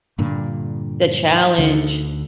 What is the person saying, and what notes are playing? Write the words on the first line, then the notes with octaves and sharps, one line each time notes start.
The challenge.
G2 A#2 D3
D2 D3